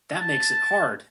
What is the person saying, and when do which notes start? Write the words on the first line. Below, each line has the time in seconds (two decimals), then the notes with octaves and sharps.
That makes it hard!
0.21 A5